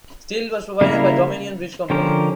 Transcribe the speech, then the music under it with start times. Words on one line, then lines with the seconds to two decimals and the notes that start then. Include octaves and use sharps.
Steel was provided by Dominion Bridge Company.
0.81 C#3 G3 A#3 E4 A#4
1.90 D3 F3 C#4 G4 A#4